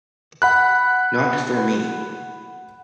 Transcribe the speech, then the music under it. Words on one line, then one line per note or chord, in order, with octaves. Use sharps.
Not for me.
F#5 B5 F#6